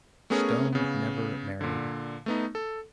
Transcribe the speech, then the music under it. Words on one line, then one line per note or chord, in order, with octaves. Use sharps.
Stone never married.
A3 B3 C#4 G#4 A#4 C#5
C#3 B3
A#2 D3
A3 B3 D#4
A4